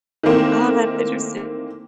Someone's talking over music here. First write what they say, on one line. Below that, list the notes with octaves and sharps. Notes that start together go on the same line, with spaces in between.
Oh, that's interesting.
D#3 E3 A3 A#3 C4